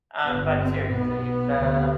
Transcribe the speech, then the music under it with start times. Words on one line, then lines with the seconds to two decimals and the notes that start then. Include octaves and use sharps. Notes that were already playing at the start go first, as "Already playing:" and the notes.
uh, but seriously, it's, uh,
0.24 G1 G2 B3
0.58 C4
0.91 B1 B2 B3
1.58 D2 C3